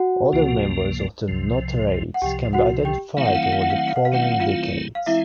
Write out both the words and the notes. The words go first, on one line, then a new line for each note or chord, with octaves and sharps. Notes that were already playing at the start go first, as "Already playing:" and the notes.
Other members of the Notarades can be identified over the following decades.
Already playing: F#4 F#5
C#2 C3 F3 A#3
C2 C3 F3
F#5
C2 C3 F3 G4 G5
F#4 F#5
G4 G5
D#3 F#3 A3 C4 E4 F5
F#5
F5
F#5
F5
F#5
F5
F#5
F5
F#5
F5
D#3 F#3 A3 C4 E4 F#5
F5
F#5
F4 F5
F5
E3 G#3 C4 E4 E5